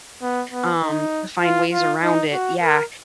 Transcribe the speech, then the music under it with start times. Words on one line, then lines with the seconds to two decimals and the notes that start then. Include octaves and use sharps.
um, to find ways around it. Yeah.
0.22 B3
0.52 B3
0.82 D#4
1.42 F4
1.73 F4
2.03 D#4
2.33 F#4
2.62 A#4